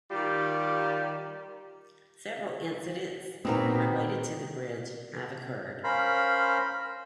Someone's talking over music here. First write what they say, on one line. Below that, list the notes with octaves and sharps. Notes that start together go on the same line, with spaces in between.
Several incidents related to the bridge have occurred.
D#3 G3 F4 G4
A#2 B3 C4 D#4 F#4 A#4
C#4 A#4 C5 F5 B5